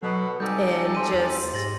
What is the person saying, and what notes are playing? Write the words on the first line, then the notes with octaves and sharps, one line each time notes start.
and just
B2 F#3 A4 B4
G#2 C3 G3 A4 G#5 A5 D6 G6
C6 D#7
E2
G#2 G4 A6 A#6 F#7